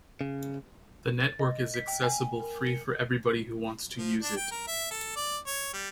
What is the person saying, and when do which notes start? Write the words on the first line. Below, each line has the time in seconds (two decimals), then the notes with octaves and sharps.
The network is accessible free for everybody who wants to use it.
0.21 C#3
1.20 A6
1.39 D#5
1.74 B6
1.88 G5
2.02 G#5
2.40 A#4
2.67 C#7
3.97 F3
4.22 D4
4.37 G5
4.51 A#4
4.68 E5
4.91 A4
5.16 D5
5.47 C#5
5.74 G3